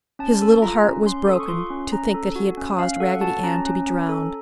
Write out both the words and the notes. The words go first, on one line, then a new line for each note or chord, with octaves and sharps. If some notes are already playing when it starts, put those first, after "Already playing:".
His little heart was broken to think that he had caused Raggedy Ann to be drowned.
C#4 A5
A4
F4 A#5
C#4
C#4 C6
A4 D#6
C#6
F4 C6
C#4
C#4 A#5
A4
F#4
C#4
C#4 F5
A4 F#5
F#4 A5
C#4 A#5
C#4
C#4
A4